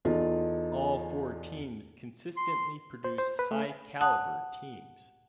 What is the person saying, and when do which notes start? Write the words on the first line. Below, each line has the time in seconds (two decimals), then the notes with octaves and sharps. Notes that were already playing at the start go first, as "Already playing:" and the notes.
All four teams consistently produce high-caliber teams.
0.05 E2 D#4 F4 A4
2.37 C6
3.04 C5
3.18 C5
3.39 B4
3.51 A3
4.01 F#5 A5 D#6 F#6